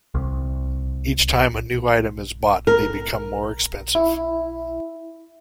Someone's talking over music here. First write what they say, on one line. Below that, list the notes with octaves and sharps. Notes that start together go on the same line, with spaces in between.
Each time a new item is bought, they become more expensive.
C2
A#4
E4